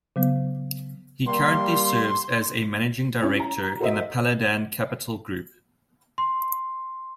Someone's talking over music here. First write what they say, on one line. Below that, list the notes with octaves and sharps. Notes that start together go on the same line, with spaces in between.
He currently serves as a Managing Director in the Paladin Capital Group.
C#3 F#3 B3
G3 A#3 C6
C#4 E4 C#5
A#5
F#4 A4 A#4 C5 D#5 E5
C6